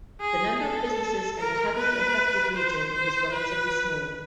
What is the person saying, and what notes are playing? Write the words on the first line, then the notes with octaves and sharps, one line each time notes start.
The number of businesses in the heavily affected region was relatively small.
G#4
A4
A#4
B4
C5
C5
B4